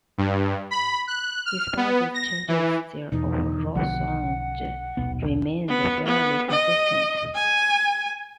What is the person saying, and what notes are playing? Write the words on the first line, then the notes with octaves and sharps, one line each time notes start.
Despite these changes, their overall sound remained fairly consistent.
G2
B5
F#6
F6
B3
A#6
E3
E2 B2 D#4
B1 D3 F3 F#5
D#1 B1 B3
B3
B3
D#5
G#5